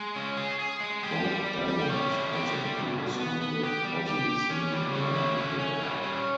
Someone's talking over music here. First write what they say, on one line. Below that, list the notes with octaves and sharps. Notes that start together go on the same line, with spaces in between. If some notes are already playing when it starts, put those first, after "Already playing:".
Both albums also include a song with Ozzy singing along with a band.
Already playing: G#3
C#4
G#4
G#4
G#3
G4
G3
G3
G4
C#4
E4
G4
G3
B2
B2
B3
B3
G4
G3
G4
G4
C#4
G3
C#4
E4
C#4
C#4
G3
C#4